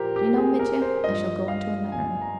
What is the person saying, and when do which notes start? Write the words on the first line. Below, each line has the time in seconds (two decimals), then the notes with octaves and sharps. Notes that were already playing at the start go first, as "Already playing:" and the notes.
Do you know, Mitya, I shall go into a nunnery.
Already playing: A#2 F3 G4 A#4 C5
0.16 G4
0.37 G#4
0.59 A#4
0.82 C5
1.03 G2 F3 D#5
1.48 F5
1.92 G#5
2.22 A#5